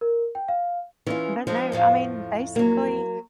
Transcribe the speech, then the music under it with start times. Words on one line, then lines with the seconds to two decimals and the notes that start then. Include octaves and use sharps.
But, no, I mean, basically,
0.01 A#4
0.35 G5
0.48 F5
1.07 E3 C#4 D#4 F4
1.47 F3 G#3 D4 D#4
1.72 F2 A2 F5
2.56 F#3 A#3